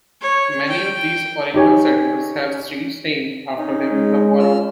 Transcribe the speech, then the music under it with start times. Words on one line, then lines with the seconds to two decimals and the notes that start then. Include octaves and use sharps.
Many of these original settlers have streets named after them in the borough.
0.22 C#5
0.68 G5
1.54 D#4 G4 C#5 G#5
3.57 C#4 D#4
3.91 G#3
4.39 F4 E6 F6